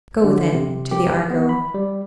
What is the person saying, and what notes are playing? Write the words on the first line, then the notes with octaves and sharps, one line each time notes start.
Go, then, to the Argo.
D3
C3
G4
B3
B5
G3